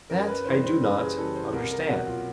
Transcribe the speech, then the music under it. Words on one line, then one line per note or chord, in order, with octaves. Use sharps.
That I do not... understand.
F#2 A#4
B4
C#3 E3 G3 C5
C5
F#2 B4
G#4
C#3 E3 G3 A4
C5
C2 A#4
A#4
B2 F#3 F#4
F4